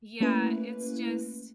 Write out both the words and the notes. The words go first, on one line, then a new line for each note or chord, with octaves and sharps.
Yeah, it's just
A3 A#3 C#4 E4 B4